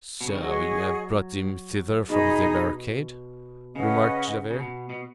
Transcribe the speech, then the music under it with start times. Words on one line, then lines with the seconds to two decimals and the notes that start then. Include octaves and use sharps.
"So you have brought him thither from the barricade?" remarked Javert.
0.21 B2
0.28 C#3
0.35 D#3
0.42 F#3 G#4 D#5 F#5 C#6
2.08 B2 D#4 G#4 D#5 B5
3.76 C#3 C#4 B4 D#5 F#5
4.50 C#3
4.60 B2
4.90 B2